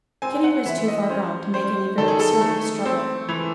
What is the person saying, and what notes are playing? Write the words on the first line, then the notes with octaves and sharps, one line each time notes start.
Kitty was too far gone to make any very serious struggle.
C4 G#5
F#5
E3 E5
D#5
C#4 C5
C#4 C5
D#3 A4
G#4
A4
A3
C4
E3